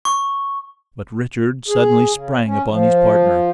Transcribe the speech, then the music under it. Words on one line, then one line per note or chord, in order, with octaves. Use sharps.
But Richard suddenly sprang upon his partner.
C#6
G#4
C#3
C#4
F3